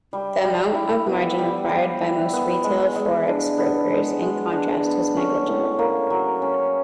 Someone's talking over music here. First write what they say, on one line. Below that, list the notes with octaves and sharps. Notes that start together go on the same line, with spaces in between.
The amount of margin required by most retail forex brokers in contrast is negligible.
G3
G3
E4
B3
G3
G3
E4
B3
G#3
G#3
D4
B3
G#3
G#3
D4
B3
C#4
A2
A#3
F#3
C#4